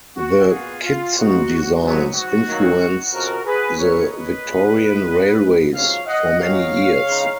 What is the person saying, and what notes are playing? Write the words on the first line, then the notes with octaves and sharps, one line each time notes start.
The Kitson designs influenced the Victorian Railways for many years.
F#4
A#2 G#3 B3 F4 G#4
F4
F2 F3 B3 D#4 F#4
G#2 F#3 B3
F#4
D#3 F#3 A#3
F2 C#3 F3 F#4 A#4
G#4 B4
C#3 F#3 C#4 A#4 C#5
B4 D#5
A#2 G#3 C#4 F4
A#2 F#3 B3
G#2 F#3 C#4 F4 C#5 F5
D#5 F#5
D#3 F#3 A#3 C#4 F4 C#5 F5
C#3 G#3 D#4